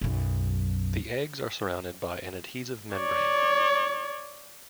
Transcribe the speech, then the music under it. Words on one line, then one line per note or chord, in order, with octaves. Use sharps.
The eggs are surrounded by an adhesive membrane.
B1 F#2
C#5 D5